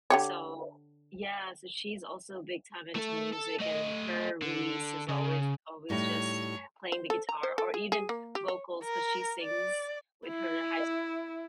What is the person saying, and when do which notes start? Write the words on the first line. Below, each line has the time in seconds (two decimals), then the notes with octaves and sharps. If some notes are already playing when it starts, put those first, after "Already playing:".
So Yeah, so she's also big time into music, and her release is always always just playing the guitar or even vocals 'cause she sings with her high s
0.10 D3 G4 C#5
2.96 A3 A4
3.33 A4
3.60 A3 D#5
4.42 D3
5.09 C#3
5.90 A2 G3 D#4 C#5
6.92 C5
7.10 A4
7.29 A#5
7.43 C5
7.58 A4
7.74 G#4
7.92 G#4
8.09 A#3
8.35 G4
8.48 C#5
8.83 A#4
9.42 D5
10.28 E4